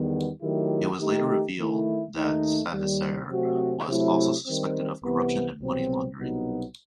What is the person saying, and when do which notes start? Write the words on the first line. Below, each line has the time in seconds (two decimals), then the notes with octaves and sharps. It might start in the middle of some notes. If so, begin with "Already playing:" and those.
It was later revealed that Savisaar was also suspected of corruption and money laundering.
Already playing: E2 D#3 G3 B3
0.42 D#3 F#3 A3 E4 G4
0.99 D#3 A3 D#4 G4
1.58 D#3 A3 E4
2.15 D#2 D#3 A3 D#4
2.73 D#2 D#3 G3
3.30 C3 F#3 A3 C4 F#4
3.88 C3 F#3 A3 E4
4.46 D#3 G3 C4
5.03 C2 C3 E3 B3
5.61 C2 B2 F#3 C4
6.18 C2 B2 F#3 B3 D#4